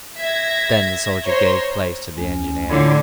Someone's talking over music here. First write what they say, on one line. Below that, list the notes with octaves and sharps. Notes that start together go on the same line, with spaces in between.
Then the soldier gave place to the engineer.
E5 G#6 A#6
C5 C#5 A#5 C6
D2 C#4
A2 D3 E4 F4 C#5